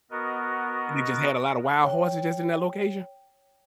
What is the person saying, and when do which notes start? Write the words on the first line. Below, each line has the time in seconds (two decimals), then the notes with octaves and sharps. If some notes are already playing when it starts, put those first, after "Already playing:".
What they just had a lot of wild horses, just in that location?
0.11 B3 F#4 A#4 D#5
1.84 C#5 G5